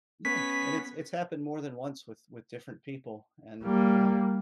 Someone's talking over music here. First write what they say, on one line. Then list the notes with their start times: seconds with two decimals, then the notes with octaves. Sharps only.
Yeah, and it's it's happened more than once with with different people, and, yeah.
0.25 B3 C#4 G#5 B6
3.63 G3 A#3